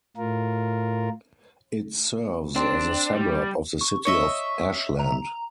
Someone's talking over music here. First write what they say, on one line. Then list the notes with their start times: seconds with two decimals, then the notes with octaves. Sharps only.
It serves as a suburb of the city of Ashland.
0.17 A2 F4 A#4
2.56 C4 D4
3.14 G3
3.81 C#6
4.05 C#5 D#5 E5 C#6
4.99 A#5